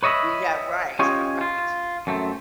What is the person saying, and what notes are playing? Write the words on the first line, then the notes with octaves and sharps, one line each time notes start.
Yeah, right, right.
B4 C#5 D#5 E5 B5
C#4 F4 G4 C#5 D#5 G#5
F4
F#2 A3 C4